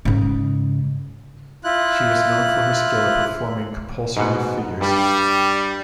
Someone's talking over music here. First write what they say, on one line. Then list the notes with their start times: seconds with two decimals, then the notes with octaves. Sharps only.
She was known for her skill at performing compulsory figures.
0.05 G#2 C#3
1.64 E4 F4 F#6
4.17 G#2 B2 F#5
4.81 G2 G3